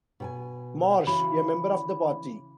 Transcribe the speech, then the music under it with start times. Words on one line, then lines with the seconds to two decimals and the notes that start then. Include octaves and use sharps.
Marsh, a member of the party.
0.20 B2 G5 G#5
1.07 C#3 E3 F#4 B5